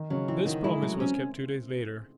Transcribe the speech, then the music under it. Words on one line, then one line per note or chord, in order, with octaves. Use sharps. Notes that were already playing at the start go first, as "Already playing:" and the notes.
This promise was kept two days later.
Already playing: D#3 D#4
C#3 F#3 C#4
E3 C4 E4
D#3 F#3 F#4
G#3 E4 G#4
G#4
F#3 A3 A4
C4 C#4 C5